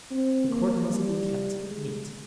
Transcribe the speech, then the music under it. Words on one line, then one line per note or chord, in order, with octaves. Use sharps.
The court must be kept neat.
C4
A#3
G3
G#3